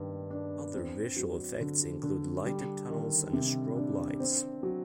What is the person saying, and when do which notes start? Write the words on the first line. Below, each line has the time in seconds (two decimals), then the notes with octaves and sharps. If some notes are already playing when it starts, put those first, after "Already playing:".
Other visual effects include lighted tunnels and strobe lights.
Already playing: G2 D#3
0.31 D4
0.73 C4
1.16 F#3
1.61 D3
2.03 D3
2.46 G3
2.90 D#3
3.33 C3
3.77 D4
4.20 C4
4.63 F#3